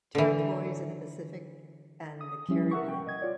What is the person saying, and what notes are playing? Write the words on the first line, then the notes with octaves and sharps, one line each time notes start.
Territories in the Pacific and the Caribbean.
D3 E3
D#6
F3 G3 C#4 E4
A#4 E5 F#5 C#6
G5
D#5 G#6
F4 C#5 D5